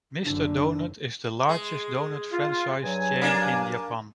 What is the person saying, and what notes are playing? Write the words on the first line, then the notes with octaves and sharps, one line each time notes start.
Mister Donut is the largest donut franchise chain in Japan.
F#1 D3 D4
G#3
F4
G2 F#3 G#5
A#3 D4